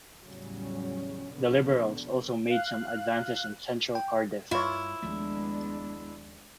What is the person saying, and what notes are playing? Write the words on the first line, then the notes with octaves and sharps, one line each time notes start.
The Liberals also made some advances in central Cardiff.
E2 A2 C#3 F#3 G3 C#4
A#1 B2 D3 B3
F5 F#6
G5
G2 G3 E4 F4 B4 C#5
D#2 F3 G#3 A3 B3 D4